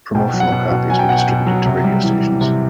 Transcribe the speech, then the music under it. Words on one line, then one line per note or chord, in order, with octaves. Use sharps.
Promotional copies were distributed to radio stations.
B2 G5
F#3
F#5
B2
B2
F#3 G#5
G5
B2 F#5
G5
B2
F#3
C3
G3
E3
E3
C3